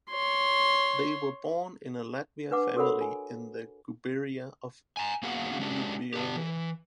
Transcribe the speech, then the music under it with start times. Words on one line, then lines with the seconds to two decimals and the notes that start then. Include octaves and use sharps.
They were born in a Latvian family in the gubernia of Livonia.
0.11 C#5 C6
2.51 D4 B4 F#5 D6
2.76 F#4 A4 A#4 C#5 F#5 B5
3.01 G#5
4.97 G#5 A#5
5.23 A#3 B3 F#4 G#4 F5 F#5
5.59 G#3 C#4 D4 E4 F#4 G4
6.14 D3 D4 G4
6.36 E3